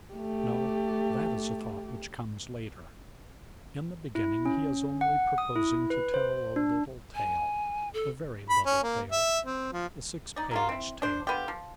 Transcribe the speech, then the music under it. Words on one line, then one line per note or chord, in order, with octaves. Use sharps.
No--that is a thought which comes later; in the beginning he is only proposing to tell a little tale, a very little tale, a six-page tale.
A3 G4
E4
C#4
F#5
D#6
E4
B4
C5
D4
G#5
A4
B5
C#4
A#3
E5
C4
F3
D#4 D5
F#3 A#3 F4
C4 E4
D4 C5
D3 B3 F4 G4
F3